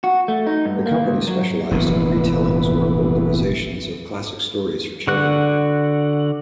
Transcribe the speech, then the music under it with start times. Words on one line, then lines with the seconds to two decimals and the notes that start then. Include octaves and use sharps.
The company specialized in retellings or bowdlerizations of classic stories for children.
0.04 F#4
0.28 A3
0.47 D#4
0.65 G2
0.86 A#3
1.04 C#2
1.27 F#3
1.71 F1 A#1 G#2 E3 B3
5.07 D3 F#4 F#6